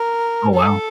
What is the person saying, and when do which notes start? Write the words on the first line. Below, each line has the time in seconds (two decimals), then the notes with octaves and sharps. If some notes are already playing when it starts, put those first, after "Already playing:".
Oh, wow.
Already playing: A#4
0.54 A4